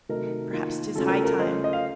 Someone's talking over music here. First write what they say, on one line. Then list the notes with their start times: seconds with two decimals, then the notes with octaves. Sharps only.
Perhaps 'tis high time.
0.09 C3 D#3 F#3 A3 D#4 A#4
0.52 D#3 A#3 F4
0.96 C#3 F#3 A3 C#4 F4 A4
1.06 A4
1.10 A#4
1.24 A#4
1.39 C#3 A3 C#4 F4 C5 D#5
1.64 D#5
1.73 F5